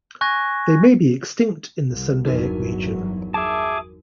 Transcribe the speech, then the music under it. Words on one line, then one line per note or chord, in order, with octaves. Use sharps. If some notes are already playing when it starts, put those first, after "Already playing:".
They may be extinct in the Sundaic region.
G#5 C#6 F#6 G#6 A#6
C2
G1 E2 F#3 D#4 F#4 A#4
G#4 E5 G#5 A5 D6